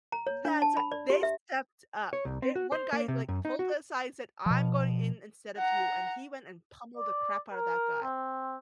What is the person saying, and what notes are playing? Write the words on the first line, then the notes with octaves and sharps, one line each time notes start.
That's ri they stepped up. They one guy, like, pulled aside and said, "I'm going in instead of you." And he went and pummeled the crap out of that guy.
A#5
C#5
D4
A5
B5
D5
G4
E5
C#5
C2
C4
F#4
C5
A#3
C3
F#2
D#4
F#4
B2 F3
F#5 A#5
D5
A#4
C4